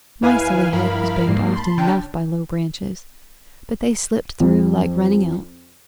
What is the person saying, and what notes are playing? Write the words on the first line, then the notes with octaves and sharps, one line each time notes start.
My silly head was banged often enough by low branches, but they slipped through like running elk.
D#2 E4 B4 F5 G#5
G2 F3 E4 A#4 F5 B5
G#1 G#2 G3 A#3 C7
A5 B5 C6
D3 C#4 D4 G5 A5
F2